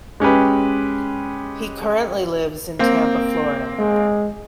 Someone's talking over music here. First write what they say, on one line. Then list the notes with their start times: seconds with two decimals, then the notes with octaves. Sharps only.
He currently lives in Tampa, Florida.
0.20 G#3 C#4 G4 B4
2.79 A#3 C4
3.79 G#3